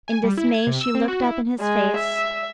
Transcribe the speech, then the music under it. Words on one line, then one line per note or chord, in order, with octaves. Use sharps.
In dismay she looked up in his face.
G#5
G3
E4
G#6
C3
E6
C4
F#4
E4
G#3
E5